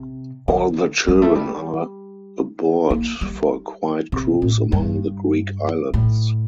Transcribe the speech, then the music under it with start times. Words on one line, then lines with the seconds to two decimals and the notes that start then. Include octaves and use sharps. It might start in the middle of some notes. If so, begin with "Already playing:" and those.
All the children are aboard for a quiet cruise among the Greek islands.
Already playing: C3
0.48 D3
1.08 G3
1.22 A3
1.35 G3
2.90 A#3
3.21 G3
4.12 C3
4.42 A2
4.72 G2
5.94 A2